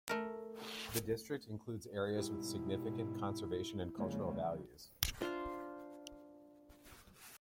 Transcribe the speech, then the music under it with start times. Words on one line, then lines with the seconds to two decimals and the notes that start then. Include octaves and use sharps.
The district includes areas with significant conservation and cultural values.
0.09 A3 A#4
2.15 G#2 B2 G3 E4 G4
3.98 F2 C#3 G3 G#3 A#3 C#5
5.21 D4 F4 C5 F5